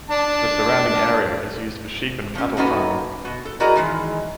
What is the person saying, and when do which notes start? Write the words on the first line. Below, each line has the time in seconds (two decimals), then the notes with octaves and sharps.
The surrounding area is used for sheep and cattle farming.
0.10 D4 A5
2.35 F3 C#4
2.57 A#3 C#4 D#4 F#4 A4 B4
3.25 B2 F#4
3.45 A4
3.60 E4 F#4 G#4 A#4 D5 D#5
3.76 D#3 E3 G#3